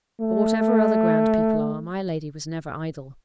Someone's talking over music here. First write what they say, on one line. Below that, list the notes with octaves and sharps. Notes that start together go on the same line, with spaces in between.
But whatever other grand people are, my lady was never idle.
A3